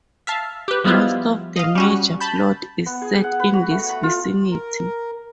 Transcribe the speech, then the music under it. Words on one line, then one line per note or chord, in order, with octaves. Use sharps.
Most of the major plot is set in this vicinity.
E5 F5 A5
G4 B4
F3 G3 G#3 B3 E4 F4
D#5 F5
G3 C#4 F#4
A5 B5 G6
B3
G#4
F#5
B4
F#4
A3
B5
F4
A#4